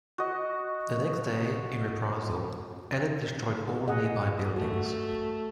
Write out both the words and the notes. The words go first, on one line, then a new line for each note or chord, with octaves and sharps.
The next day, in reprisal, Ellet destroyed all nearby buildings.
F#4 D#5
G#4 D#5 F#5
A3 F#4